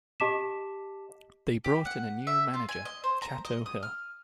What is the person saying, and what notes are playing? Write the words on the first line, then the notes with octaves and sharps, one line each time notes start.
They brought in a new manager, Chato Hill.
G4 D#5 A5 D6 B6 E7
G4
F#5
E5
F4
G#5
D#5
C5
A#5
D#5
D#6
F6